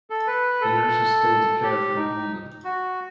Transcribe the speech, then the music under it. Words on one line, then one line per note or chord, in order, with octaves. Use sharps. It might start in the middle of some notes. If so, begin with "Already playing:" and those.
The nurses stayed to care for the wounded.
A4
B4
A4
G4
D#4
F#4